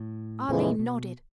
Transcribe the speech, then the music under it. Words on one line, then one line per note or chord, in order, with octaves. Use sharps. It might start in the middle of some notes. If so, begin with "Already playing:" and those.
Arline nodded.
Already playing: A2
F2 A#2 C#3 E3 G#3
B2